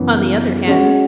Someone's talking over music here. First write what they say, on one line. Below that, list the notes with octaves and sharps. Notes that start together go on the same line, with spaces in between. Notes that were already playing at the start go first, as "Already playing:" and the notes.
On the other hand.
Already playing: F#2 C#3 E3 B3
G#3 C#4 F#4 C#5